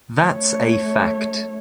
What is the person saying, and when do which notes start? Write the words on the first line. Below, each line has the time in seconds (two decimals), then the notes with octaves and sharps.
That's a fact.
0.21 A3 C#5